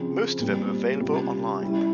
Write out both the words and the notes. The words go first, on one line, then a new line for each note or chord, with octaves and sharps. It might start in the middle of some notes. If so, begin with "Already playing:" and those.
Most of them are available online.
Already playing: C#3 F3 C4
A#2 G3 C4
C3 G3 C#4 F4
G3 C#4 E4